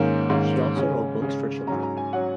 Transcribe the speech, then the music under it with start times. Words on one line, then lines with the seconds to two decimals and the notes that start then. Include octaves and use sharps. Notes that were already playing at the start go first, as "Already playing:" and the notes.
She also wrote books for children.
Already playing: G#2 D#3 A#3 C#4
0.30 G#2 D#3 A#3 C#4
0.76 C#3 G#3 C#4
1.22 C#3 G#3 C#4
1.67 G#2 F#3 C#4 A#5
1.83 A#5
1.97 G#5
2.13 F#3 C#4 F#5